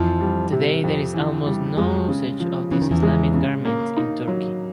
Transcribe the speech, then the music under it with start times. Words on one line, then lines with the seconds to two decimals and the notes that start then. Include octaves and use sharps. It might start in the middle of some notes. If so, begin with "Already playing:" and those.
Today there is almost no usage of this Islamic garment in Turkey.
Already playing: F2 E3 F3
0.21 G3
0.52 C3
0.84 F2
1.14 E3
1.46 G3
1.77 F2 F3 G#3
2.08 C#3
2.40 F3
2.71 C#3 E3
2.82 D#3
2.91 E2 E3
3.03 G#3
3.34 C#3
3.65 A#3
3.97 D#4
4.28 F#3